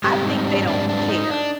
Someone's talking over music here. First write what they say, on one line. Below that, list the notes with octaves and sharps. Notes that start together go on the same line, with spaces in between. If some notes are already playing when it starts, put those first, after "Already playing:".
I think they don't care.
G#2 G3 C4 G4
D#4
D4
D4
D4
D#4
D4